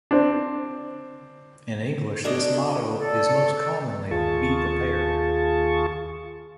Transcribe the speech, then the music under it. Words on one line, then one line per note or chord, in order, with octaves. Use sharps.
In English, this motto is most commonly Be Prepared.
C4 D4
F#2 D4 A4 D#5
A4 D5
D#2 F4 G#4 A5 C#6